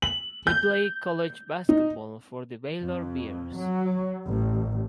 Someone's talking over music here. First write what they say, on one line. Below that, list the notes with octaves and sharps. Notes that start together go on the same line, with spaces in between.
He played college basketball for the Baylor Bears.
F#7
G6
D#4
F2
F#3
A1